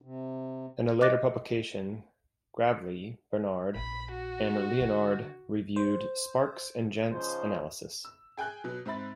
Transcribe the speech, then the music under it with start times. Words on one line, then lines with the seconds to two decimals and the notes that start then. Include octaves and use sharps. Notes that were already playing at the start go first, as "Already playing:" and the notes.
In a later publication, Gravlee, Bernard and Leonard reviewed Sparks' and Jantz' analysis.
0.02 C3
1.01 D#5 D6 F#6 A6 A#6
3.76 A#1 B5
4.11 F#4
4.81 D3
5.76 C5
7.10 C#3 F3 D#4 C5
8.05 E6
8.38 G#4 G5 G#5 F#6 G6
8.64 B2 F#3
8.85 G#2 C4 E5 B5 A6